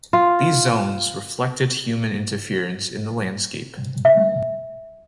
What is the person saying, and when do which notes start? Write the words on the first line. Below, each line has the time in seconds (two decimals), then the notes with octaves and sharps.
These zones reflected human interference in the landscape.
0.13 F4
4.05 E5